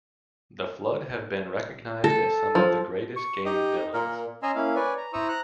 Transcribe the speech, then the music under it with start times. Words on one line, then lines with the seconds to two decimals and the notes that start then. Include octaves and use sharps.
The Flood have been recognized as some of the greatest game villains.
2.04 A4
2.55 F3
3.16 C#6
3.46 D#4 G4
3.93 A#2 A#4
4.43 C#4 D#5 G#5 A#5 C6 E6
4.55 A#3 C#4 E4 F5
4.75 B4 C#5 D5 G#5
4.97 A#5
5.13 E4 C5 A#5 C#6 D#6 E6
5.29 A#5 F#6